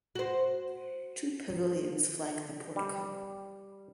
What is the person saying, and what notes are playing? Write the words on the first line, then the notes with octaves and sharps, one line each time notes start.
Two pavilions flank the portico.
F#4 C5
G3